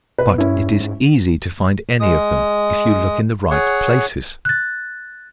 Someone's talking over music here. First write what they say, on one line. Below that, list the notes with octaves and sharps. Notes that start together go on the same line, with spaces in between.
But it is easy to find any of them if you look in the right places.
B2 B4
G2 C#4 E4
G#2
G#3 D#6
G#4 C#5 F#5
F#6 A6